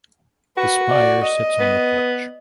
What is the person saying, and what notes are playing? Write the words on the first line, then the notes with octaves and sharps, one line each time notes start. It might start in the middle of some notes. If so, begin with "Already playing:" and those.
The spire sits on the porch.
F#4 B4
D5
D#5
B3